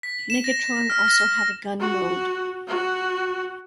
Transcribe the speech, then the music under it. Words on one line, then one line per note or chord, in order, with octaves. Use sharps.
Megatron also had a gun mode.
B6
E7
A#6
F6
A#6
F#4
F#4